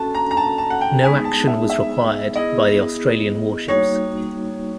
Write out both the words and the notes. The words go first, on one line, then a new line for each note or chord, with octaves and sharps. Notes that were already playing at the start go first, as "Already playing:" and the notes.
No action was required by the Australian warships.
Already playing: C#4 F#4 A4 A5
A#5
A#5
A5
A5
F#5
G5
G#3 B3 D#4 G#4 G#5
A5
E5
E5
B3 E4 G#4 D#5
G3 A#3 D#4 F#4 C#5